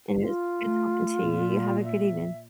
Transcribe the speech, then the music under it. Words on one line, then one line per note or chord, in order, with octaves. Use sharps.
and it's good talking to you. You have a good evening.
F4
A3
A#2
E5